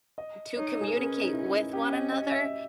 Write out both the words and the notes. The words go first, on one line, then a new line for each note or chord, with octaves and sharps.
to communicate with one another,
D#5
D#4 C#5
G#4
A#4
C#4 B4
D#4
E4
C#4 G4
D#5
D#5
E5